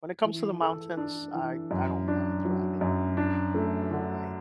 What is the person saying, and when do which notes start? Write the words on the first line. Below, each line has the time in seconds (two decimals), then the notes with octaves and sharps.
when it comes to the mountains, I I don't mind driving a long a long way.
0.25 E3
0.61 A4
0.97 D4
1.34 E3
1.71 F#2
2.08 D4
2.45 F#3
2.81 F#2
3.17 D4
3.54 A3
3.91 D3